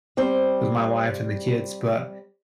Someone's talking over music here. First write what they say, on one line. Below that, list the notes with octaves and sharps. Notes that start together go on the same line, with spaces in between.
with my wife and the kids. But
G3 C4 C5